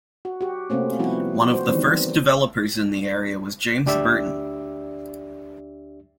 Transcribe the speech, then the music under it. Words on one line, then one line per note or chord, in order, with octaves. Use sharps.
One of the first developers in the area was James Burton.
F#4
F#4 G4
C3 A3 A#3 C4 C#4
F3 G3 B3 E4 F#4
F#4 C5
D#3 E3 G3 B3 C4
D2 D4 G4 D5 E5